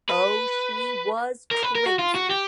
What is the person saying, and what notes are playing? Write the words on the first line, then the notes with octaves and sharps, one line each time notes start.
Oh, she was crazy.
B4
A#4
B4
A#4
F#4
F4
F#4
G4